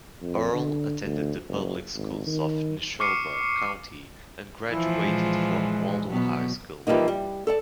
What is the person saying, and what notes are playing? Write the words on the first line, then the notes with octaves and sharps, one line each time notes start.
Earl attended the public schools of Neshoba County and graduated from Waldo High School.
F2
D3
D2
F#1
G#1
D#3
C#6 D6 F6 C7 C#7 D#7
E3 F3 E4
A#2 G#3
B2 F#3 B3
E3 F3 G3 A#3 D#4
G3
A4 D5 A5